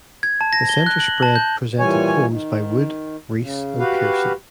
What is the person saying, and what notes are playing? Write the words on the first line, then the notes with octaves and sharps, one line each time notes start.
The center spread presented poems by Wood, Reese and Pearson.
G#6
A5
A#6
G7
F#6
F#7
A5
G6
A#2 E3 G3 C#5 G#5
D#3
C#3
F#4 G4 B4 F5